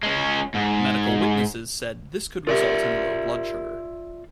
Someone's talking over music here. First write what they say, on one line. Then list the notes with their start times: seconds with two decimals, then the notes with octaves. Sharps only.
Medical witnesses said this could result in low blood sugar.
0.03 G#3 C#4
0.55 G#2
2.47 F4 G4 A#4 D5 E5